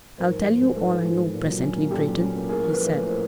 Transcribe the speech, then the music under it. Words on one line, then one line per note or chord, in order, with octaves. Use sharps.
"I'll tell you all I know, presently, Breton," he said.
G#2 A#4 C5
F3
G#2
G#3 C5
G#2 A4 B4
F3
G#2
G#3
A#2
F#3
C#4
A#3
A#2 G4 A4
F#3
C#4
A#3
A2 G#4 A#4
F3 A4 B4
A2
A3 B4 C#5
A2 A#4 C5